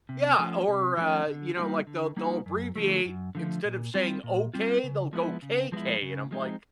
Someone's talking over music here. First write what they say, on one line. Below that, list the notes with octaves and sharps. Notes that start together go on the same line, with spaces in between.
Yeah, or, uh, you know, like, the they'll abbreviate instead of saying "Okay", they'll go "K-K", and I'm like,
C3
F3 A3 C#4
C3
F3 A3 C#4
D3
G3 A#3 D#4 F#4
D3
G3 A#3 D#4 F#4
F#2
D3 F3 A3
F#2
D3 F3 A3
A#2
G3 C4 F4
A#2
G3 C4 F4
C#3
F3 G#3 B3 E4
C#3
F3 G#3 B3 E4
C#3
F3 G#3 C4 D#4